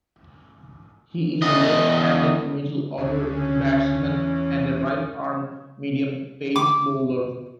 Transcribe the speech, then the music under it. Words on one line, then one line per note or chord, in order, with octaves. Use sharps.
He is a left-handed middle-order batsman and a right-arm medium pace bowler.
E2 D#5
D2 C#3
C#4
E2
D6